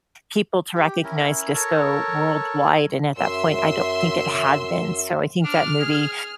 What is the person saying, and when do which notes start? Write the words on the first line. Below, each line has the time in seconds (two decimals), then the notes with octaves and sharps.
people to recognize disco worldwide, and at that point, I don't think it had been, so, I think that movie
0.75 G4
1.04 C#4 E4 A#4
1.54 A4 A#4 C#5
3.18 F#2 E5 C6 E6
5.45 D4 F6
5.80 G#4